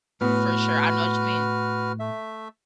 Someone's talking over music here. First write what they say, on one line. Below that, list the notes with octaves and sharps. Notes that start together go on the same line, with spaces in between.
For sure. I know whatcha mean.
A2 B3 F#4 B4 F6
A3 E5